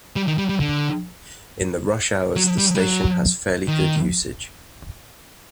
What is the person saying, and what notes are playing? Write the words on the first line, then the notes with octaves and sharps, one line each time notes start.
In the rush hours the station has fairly good usage.
G3
D#3
G3
G3
D3
F#3
G3
G3
F#3
D#3